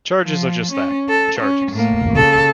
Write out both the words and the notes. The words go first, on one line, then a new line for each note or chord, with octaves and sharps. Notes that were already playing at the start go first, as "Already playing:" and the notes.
Charges are just that: charges.
F3
C#4
A4
C#4
A2 A#3
C#3 A4